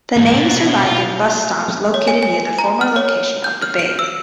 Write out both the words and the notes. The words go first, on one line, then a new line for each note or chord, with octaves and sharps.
The name survived in bus stops located near the former location of the bay.
E2 G#2
B2
F4
C#5
G#5
G#5
A#5
F6
C#5
G6
F6
D7
E6